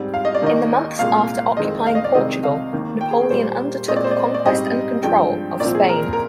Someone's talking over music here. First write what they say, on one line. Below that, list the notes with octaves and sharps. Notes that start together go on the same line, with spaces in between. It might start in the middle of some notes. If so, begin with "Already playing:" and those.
In the months after occupying Portugal, Napoleon undertook the conquest and control of Spain.
Already playing: G#2 G3 C4
F5
D#5
D5
D#2 D#3 A#3 D#5
C2 A#2 G#3 F5
F2 D#3 G#3 C4 D#5
F5
D#5
D5
C2 C3 D#3 G#3 C4 D#5
F5
D#2 D#3 A#3
G5
G#4
G#4
A#2 G3 A#3 C5
A#2 G#3 C4 D#5
D5
C5
D5
D5
G#2 G3 C4 D#5
G2 F3 G#3 G5
C2 A#2 F3 C4 D5
G#4
A#4
A#4